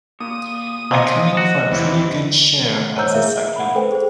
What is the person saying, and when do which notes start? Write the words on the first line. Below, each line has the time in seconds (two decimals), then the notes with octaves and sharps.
I come in for a pretty good share as a second.
0.20 A#2 D#6
0.91 A#2 C5 D#5
1.37 F#4
1.71 E2 C3 E3
2.97 C5 C#5 A#5 E6 G6
3.14 G#4 A#4 E5 F5
3.56 F#5 B5
3.75 A4 B4 C5 G5
3.92 G#4 C5